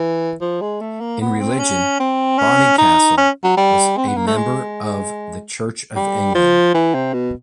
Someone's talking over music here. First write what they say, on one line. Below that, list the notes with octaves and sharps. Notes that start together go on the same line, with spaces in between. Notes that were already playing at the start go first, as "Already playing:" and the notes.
In religion, Bonnycastle was a member of the Church of England.
Already playing: E3
F3
G#3
A3
A#3
B3
C4
C#4
C4
C#4
D#4
C#4
F#3
G3
C4
B3
A#3
A3
G#3
G3
F3
E3
C3
B2